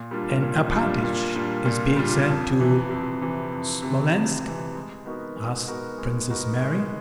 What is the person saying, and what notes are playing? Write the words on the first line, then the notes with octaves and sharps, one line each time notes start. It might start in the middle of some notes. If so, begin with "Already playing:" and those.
"And Alpatych is being sent to Smolensk?" asked Princess Mary.
Already playing: A#2
G3 A#3 D4 F4
A#2
G3 A#3 D4 F4
A#2
G3 A#3 D4 F4
A#2
G3 A#3 D4 F4
F2
C3 E3
F2
C3 E3
F2
C3 E3
F2
C3 E3
G#3
B3 D#4 F#4 A#4
G#3
B3 D#4 F#4 A#4
G#3
B3 D#4 F#4 A#4
G#3